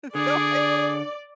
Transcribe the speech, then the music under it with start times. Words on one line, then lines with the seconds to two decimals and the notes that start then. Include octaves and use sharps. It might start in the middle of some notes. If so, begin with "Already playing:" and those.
so I
0.15 D3 G#4 D5